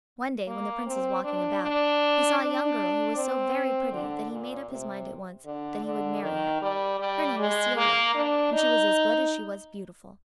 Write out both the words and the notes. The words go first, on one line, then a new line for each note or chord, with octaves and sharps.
One day, when the Prince was walking about, he saw a young girl who was so very pretty that he made up his mind at once that he would marry her. Her name was Celia, and she was as good as she was beautiful.
A#3
C4
D4
D4
D4
C4
D3
A#2
C3
D3
D3
D#3
G3
G3
G#3
A#3
D4
D#4